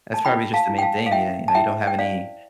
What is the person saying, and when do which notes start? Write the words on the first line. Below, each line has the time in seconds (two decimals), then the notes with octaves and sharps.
that's probably just the main thing, y you know, you don't have any,
0.14 A5
0.25 E4 G5 B5
0.54 F5 A5
0.69 E4
0.78 G5
0.82 F5 A5
1.06 F5
1.11 E4 E5 G5
1.48 A5
1.55 E4 E5 G5
1.87 G5
1.98 C5 D5 F5